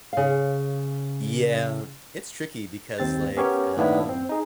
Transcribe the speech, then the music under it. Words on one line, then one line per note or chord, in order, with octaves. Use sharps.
Yeah, it's tricky because, like, um,
C#3 F5
D#2 C4 A6
B3 C#4 G4 A#4 C#5
A2 D#3 A#3 B3 D4 E4
C4
D#4 G#4